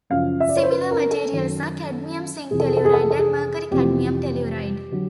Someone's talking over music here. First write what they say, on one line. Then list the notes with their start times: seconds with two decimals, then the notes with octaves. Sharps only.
Similar materials are cadmium zinc telluride and mercury cadmium telluride.
0.10 F#2 C#3 F3 F5
0.40 E5
0.49 D5
0.56 C#5
0.63 C5
0.71 B4
0.91 A#4
1.11 A4
1.31 F#2 D#3 F#3
2.51 F2 C3 E3 G#4
2.60 A4
2.68 G#4
2.77 A4
2.85 G#4
2.94 A4
3.03 G#4
3.10 A4
3.19 G#4
3.71 F2 C3 E3 G4
4.92 D3 F#3